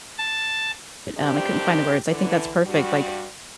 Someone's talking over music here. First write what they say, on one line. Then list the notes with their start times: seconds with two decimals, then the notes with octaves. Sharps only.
um, I couldn't find the words. I think that's perfect, like
0.18 A5
1.18 D2 G2 D#3 C4 D4 G4
2.10 D3 E3
2.65 G2 G3 F#4